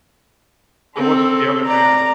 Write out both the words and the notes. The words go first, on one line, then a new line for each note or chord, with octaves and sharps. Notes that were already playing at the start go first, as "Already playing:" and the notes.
Or was it the other man?
C4 A4
D5 A#5